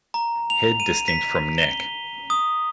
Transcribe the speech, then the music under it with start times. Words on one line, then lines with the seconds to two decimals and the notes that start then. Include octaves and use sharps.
Head distinct from neck.
0.14 A#5
0.50 F7
0.80 D#7
1.08 B6
1.58 G7
2.30 D#6